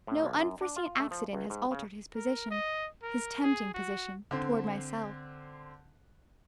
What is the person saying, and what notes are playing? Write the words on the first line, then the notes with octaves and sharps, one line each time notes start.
No unforeseen accident has altered his position--his tempting position--toward myself.
A2
B1
F#2
D4
F4
A3
F3
C#2
G#2
C#3
A#4
D#5
A#4
G#4
F#4
D3 C4